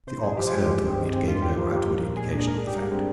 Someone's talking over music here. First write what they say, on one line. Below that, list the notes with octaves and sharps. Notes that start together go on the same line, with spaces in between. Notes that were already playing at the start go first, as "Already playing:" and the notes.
If the ox heard them it gave no outward indication of the fact.
C3 C5
C3 G#4
F3 G4
F4
G#3 G4
G2
C4
D#3
G#3
G2 F4
G2 G4
F3
A#3
A#2
A#2
G#3 G#4
D4 G#4
G#2 A#4
G#4
G#2
G4
G3 A#4
C4